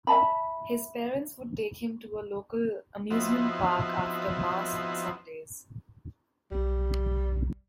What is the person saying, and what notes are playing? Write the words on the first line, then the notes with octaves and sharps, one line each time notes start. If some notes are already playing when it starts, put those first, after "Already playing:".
His parents would take him to a local amusement park after Mass on Sundays.
E5 F5 A5 B5
F3 B3 C4 D#4 E4 F#4
B1 G3